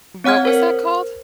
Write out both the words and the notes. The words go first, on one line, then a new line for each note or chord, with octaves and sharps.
What was that called?
C4 C#5 F#5 F6 G#6
A#4 C5